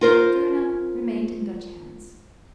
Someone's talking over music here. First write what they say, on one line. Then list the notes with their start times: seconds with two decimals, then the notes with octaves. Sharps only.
Surinam remained in Dutch hands.
0.01 F4 A#4 C5